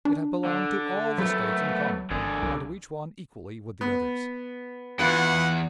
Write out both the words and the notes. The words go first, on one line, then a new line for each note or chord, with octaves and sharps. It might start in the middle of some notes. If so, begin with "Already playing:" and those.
It had belonged to all the States in common, and to each one equally with the others.
D4
D3
F#3 A3 B3
G#1 D3 G#4
C2
B3
E2 F4 B4 F#5